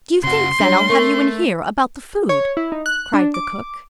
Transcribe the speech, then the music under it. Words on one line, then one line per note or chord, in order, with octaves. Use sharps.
"Do you think then I'll have you in here about the food," cried the cook.
C#3 F#4 C6
G3 D4 C#5
A3 A#4 C#6
C#5
E4
D#4
F#6
D4
D6